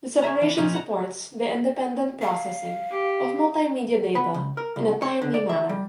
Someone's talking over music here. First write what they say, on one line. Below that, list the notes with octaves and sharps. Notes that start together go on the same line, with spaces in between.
The separation supports the independent processing of multimedia data in a timely manner.
C#4 G#4 E5 A#5
E3 D5
A#2 F3 C#4 D#4
F#5 A#5
F5
G4
B3
C#2
A#4
C2
C#5
D3
D5
E5
G3